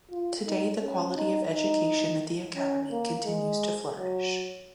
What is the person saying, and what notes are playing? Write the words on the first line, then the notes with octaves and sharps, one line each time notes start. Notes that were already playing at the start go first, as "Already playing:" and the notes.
Today the quality of education at the Academy continues to flourish.
F4
D#4
C#4
D#4
D#4
C#4
A#3
G#3
F#3